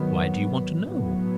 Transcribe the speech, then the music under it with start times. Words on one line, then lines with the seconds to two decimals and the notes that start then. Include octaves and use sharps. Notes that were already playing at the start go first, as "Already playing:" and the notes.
"Why do you want to know?"
Already playing: G#2 D#3 F#3 B3
0.79 A2 F#3 B3